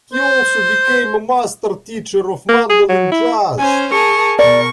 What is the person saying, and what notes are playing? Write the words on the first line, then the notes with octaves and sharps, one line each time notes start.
He also became a master teacher of mandolin jazz.
C5
A#3
G#4
F#3
E4
C#4 C5 G#5
G#4 A#4 A5 C#6
B2 A#4 D5 C#6